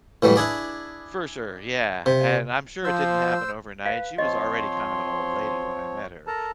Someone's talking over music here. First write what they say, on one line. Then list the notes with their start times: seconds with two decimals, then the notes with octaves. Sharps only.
For sure, yeah, and I'm sure it didn't happen overnight, she was already kind of an old lady when I met her,
0.23 A2 E3 F#3 G3
0.36 D4 E4 G#4 D5
2.06 C3
2.84 F3 C5 E6
3.86 B4 F5
4.18 F3 C4 C#5 D#5 C6
6.27 A4 A#4 A5 A#5